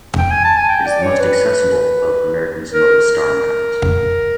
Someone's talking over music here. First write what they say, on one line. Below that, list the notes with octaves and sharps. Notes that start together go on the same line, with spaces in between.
It is the most accessible of American Samoa’s star mounds.
G5
G#5
A5
G#5
G5
D5
C#5
B4
A#4